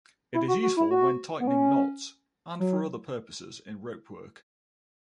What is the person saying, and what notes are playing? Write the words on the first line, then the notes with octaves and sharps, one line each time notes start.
It is useful when tightening knots and for other purposes in ropework.
E4
F#4
F#4
E4
F#4
B3
C#4
F#3